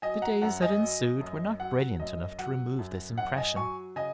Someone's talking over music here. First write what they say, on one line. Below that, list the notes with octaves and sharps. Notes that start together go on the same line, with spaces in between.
The days that ensued were not brilliant enough to remove this impression.
F#3 D#5 G#5
F#5 A#5
F#2 F#5 A#5
D#5 G#5
F#3
F#2
F#3 F#5
F#2 D#5
F#3 F#5
F#2
F#2 F#5
D#5 G#5
F#3 G#5 C#6
C#3 D#5 G#5